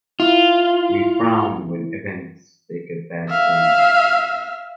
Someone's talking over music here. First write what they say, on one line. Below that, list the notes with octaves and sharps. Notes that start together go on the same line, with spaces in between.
We frown when events take a bad turn.
E4 F4
E5 F5